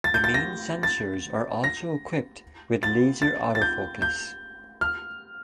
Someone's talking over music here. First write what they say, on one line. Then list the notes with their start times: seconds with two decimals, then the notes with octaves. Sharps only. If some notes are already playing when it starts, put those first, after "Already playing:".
The main sensors are also equipped with laser autofocus.
0.04 A6
0.14 G6
0.24 A6
0.34 A#6
0.83 A6
1.64 A#6
2.83 A6
3.22 A6
3.55 A6
3.62 G6
4.02 G6
4.81 F6